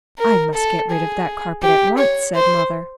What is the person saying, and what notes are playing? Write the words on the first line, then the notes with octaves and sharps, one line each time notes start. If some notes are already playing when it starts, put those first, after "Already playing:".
'I must get rid of that carpet at once,' said mother.
A#4
A4
G#4
G4
C#5
C5